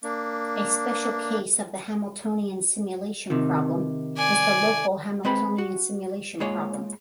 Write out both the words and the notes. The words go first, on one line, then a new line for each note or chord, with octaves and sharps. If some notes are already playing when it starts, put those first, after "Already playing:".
A special case of the Hamiltonian simulation problem is the local Hamiltonian simulation problem.
A#3 D4
C3 D#3
D5 G#5
G#3 C4 B4 B5
F#4
G#3 A#3 F4 G#4 C#5